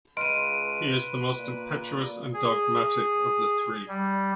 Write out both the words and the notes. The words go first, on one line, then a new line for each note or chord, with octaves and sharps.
He is the most impetuous and dogmatic of the three.
C#2 B4 D#5 C6 F6 D7 D#7
A#2
G#4
G3